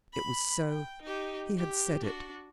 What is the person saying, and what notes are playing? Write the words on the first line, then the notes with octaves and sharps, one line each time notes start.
It was so; he had said it.
B5
G5
D#4 G4
G4
D4 F#4